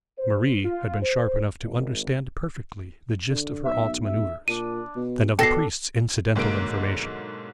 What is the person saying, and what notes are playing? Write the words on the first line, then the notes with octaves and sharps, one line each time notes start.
But Marie had been sharp enough to understand perfectly the gist of her aunt's manoeuvres and of the priest's incidental information.
C5
F4
C5
G#1
D3
B1 E5
E5
A#2 D4 D#7
B2
B2 D4 A4 G5 A#6 C7
B1 G#2 D3 A#3 D7